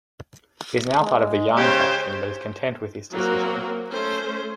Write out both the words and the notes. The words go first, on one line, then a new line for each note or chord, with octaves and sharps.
He's now part of the Young faction but is content with his decision.
G#3
C#3 G4 C5
F#3 A#3 C4 F#4 A#4
A3 C#4 C5